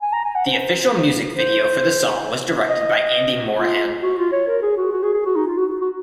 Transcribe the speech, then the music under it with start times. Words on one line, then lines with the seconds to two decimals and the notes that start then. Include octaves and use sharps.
The official music video for the song was directed by Andy Morahan.
0.02 G#5
0.13 A#5
0.25 G#5
0.35 F#5
0.46 C5
1.36 C5
2.69 D#5
3.58 F4
4.03 F#4
4.18 F4
4.32 C#5
4.47 A#4
4.62 G#4
4.77 F#4
4.92 F#4
5.03 G#4
5.14 G#4
5.26 F#4
5.36 D#4
5.47 F4
5.58 F#4
5.81 F#4